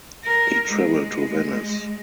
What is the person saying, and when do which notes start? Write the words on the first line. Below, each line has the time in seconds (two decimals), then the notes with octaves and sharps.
He traveled to Venice.
0.24 A#4
0.68 G#3